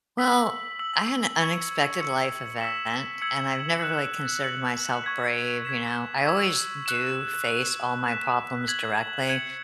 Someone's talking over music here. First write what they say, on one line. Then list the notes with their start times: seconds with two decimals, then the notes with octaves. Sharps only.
Well, I had an unexpected life event, and I've never really considered myself brave, you know, I always do face all my problems directly,
0.18 E6 B6 F#7
0.79 E6 B6 F#7
1.39 C#6 G#6 C#7
2.00 C#6 E6 C#7
2.61 E6 B6 E7
3.21 E6 G#6 C#7 F#7
3.82 F#6 E7
4.43 F#6 C#7 F#7
5.04 C#6 G#6 B6
5.65 G#6 B6 E7
6.26 C#6 E6 G#6 E7
6.86 F#6 E7
7.46 F#6 E7
8.08 F#6 B6 E7
8.68 G#6 B6 F#7
9.29 G#6 C#7 F#7